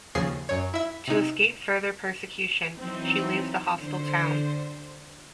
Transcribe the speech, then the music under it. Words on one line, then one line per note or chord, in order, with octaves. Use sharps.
To escape further persecution, she leaves the hostile town.
D#2 C#3 F3 G#4 C7
F#2 C#5
E4 E5
C3 D#4
E3 F#3 C4 D#4
D3 C5